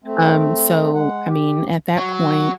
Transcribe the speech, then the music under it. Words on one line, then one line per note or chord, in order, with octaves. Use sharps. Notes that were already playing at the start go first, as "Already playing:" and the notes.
Um, so, I mean, at that point,
A3 C4
G#3 F#5
G4
F#3